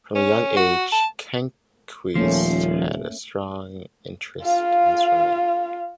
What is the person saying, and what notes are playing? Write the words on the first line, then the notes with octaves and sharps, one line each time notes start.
From a young age, Kenkhuis had a strong interest in swimming.
C#4
F#4
A5
D#1 F3 A3 A#3 C#4
F4 F5